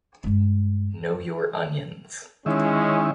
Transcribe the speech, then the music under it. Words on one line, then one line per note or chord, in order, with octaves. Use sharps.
Know your onions.
G2 G#3
D#3 G#3 C#4 E4